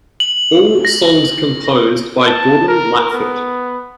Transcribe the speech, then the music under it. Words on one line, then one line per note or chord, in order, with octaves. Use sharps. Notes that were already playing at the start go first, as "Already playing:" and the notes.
All songs composed by Gordon Lightfoot.
F#7
A#6
A5
A#4
B3